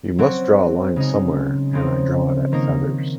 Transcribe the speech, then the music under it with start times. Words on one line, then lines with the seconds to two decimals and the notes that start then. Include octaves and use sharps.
You must draw a line somewhere, and I draw it at feathers.
0.18 F#3 C4 F#4
0.96 C#3 G#3 D#4
1.73 C#3 F3 C4 D#4
2.52 D#3 A#3 D#4 A#4